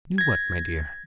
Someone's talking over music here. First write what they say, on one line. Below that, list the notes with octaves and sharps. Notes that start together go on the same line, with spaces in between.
"Knew what, my dear?"
G#6 A#6